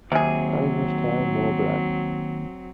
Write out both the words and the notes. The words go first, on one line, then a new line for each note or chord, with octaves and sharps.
I must have more blood!
D#2 C3 F#3 C4 G#4